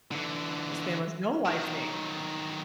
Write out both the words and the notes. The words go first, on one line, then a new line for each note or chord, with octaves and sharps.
This man was no lifing.
D3 E3
D#3 F#3